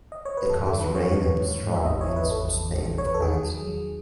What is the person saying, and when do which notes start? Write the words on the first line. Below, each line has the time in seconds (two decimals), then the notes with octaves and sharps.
It caused rain and strong winds for Spain and France.
0.12 D#5
0.25 C#5
0.37 B4
0.49 E2 A4
0.66 A4
0.73 D#3
0.80 B4
0.95 E2 C#5
1.19 E2
1.40 G#2
1.63 G#2
1.75 E5
1.85 G#1 D#5
2.01 C#5
2.09 G#1
2.16 B4
2.31 E2 A4
2.54 E2
2.77 E2
2.98 E2 C#5
3.06 B4
3.14 A4
3.22 D#3 G#4
3.45 F#3
3.67 F#3